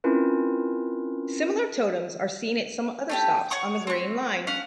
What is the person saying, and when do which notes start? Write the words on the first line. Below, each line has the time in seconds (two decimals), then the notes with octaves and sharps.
Similar totems are seen at some other stops on the Green Line.
0.04 C4 C#4 E4 F4 A#4 B4
3.09 A3 G4 G5
3.50 C#5 F#5 C#6 D#6
3.87 C4 C#6
4.47 C#4 F5 F#5